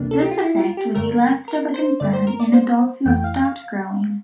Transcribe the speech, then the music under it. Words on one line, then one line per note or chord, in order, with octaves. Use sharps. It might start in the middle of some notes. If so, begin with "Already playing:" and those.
This effect would be less of a concern in adults who have stopped growing.
Already playing: D2 C3 E3 A#3 D4
A4
G4
F4
E4
E4
F4
G4
G2 D3 A3 A#4
A#4
C5
G2 D3 A3 D5
C5
A#4
D5
C5
F2 E3 A3 G5
F5
F5